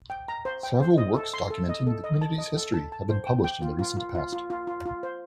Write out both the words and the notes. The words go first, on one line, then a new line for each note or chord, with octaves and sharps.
Several works documenting the community's history have been published in the recent past.
G5
A#5
C5
G5
C5
D#5
A4
C6
A4
D#5
A4
D#5
A5
D#5
A4
A5
A5
C5
G5
G5
F4
F4
F4
F4
F4
F4
F4
F4
C5